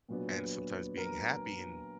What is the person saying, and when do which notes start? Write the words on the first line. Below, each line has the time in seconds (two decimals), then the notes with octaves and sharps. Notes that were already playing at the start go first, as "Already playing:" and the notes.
and sometimes being happy and
0.09 A#2 F#3 B3 D4
0.97 A#4